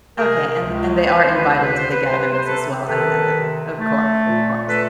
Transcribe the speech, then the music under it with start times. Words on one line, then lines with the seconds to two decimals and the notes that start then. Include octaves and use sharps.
Okay, and and they are invited to the gatherings as well, I gather. Of course, of course.
0.18 C3 G#4 A#4
0.62 C#2
1.08 C#2 B4
1.22 C5
1.35 B4
1.49 C3 C5
1.63 B4
1.77 C5
1.91 B4
1.97 C3
2.04 C5
2.19 B4
2.32 C5
2.43 C3 A4 B4
2.88 D#3 A4 B4
3.33 C3
3.79 A3
4.23 A#2
4.67 A3 A4 B4